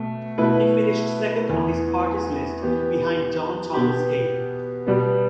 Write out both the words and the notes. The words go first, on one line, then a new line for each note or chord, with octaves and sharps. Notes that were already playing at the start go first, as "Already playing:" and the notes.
He finished second on his party's list, behind John Thomas Haig.
Already playing: B2 A3
B2 A3 E4 B4
E2 E3 B3 E4
E3 B3 G4
B2 B3 G4
B2 G3 B3